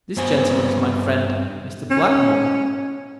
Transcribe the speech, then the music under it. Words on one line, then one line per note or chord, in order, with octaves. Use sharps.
This gentleman is my friend, Mr. Blackmore.
G2 B3 C5 G#5
C#4